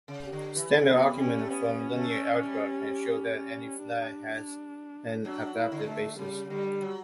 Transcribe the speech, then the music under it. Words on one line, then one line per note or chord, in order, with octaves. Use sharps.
Standard arguments from linear algebra can show that any flag has an adapted basis.
C#3
G4
D3
E3
B3
F#3
G3
C#4
A3
B3 C#4
A3
G3
C#4
D4
F#3 D4
E4
D3
A3
C#3 G3
D3 G3
F#3